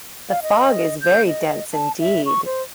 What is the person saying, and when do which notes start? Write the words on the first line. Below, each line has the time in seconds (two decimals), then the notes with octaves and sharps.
The fog is very dense indeed!
0.30 F5
0.43 D#5
1.01 G6
1.27 D#5
1.73 A5
2.00 E5
2.26 C#6
2.45 C5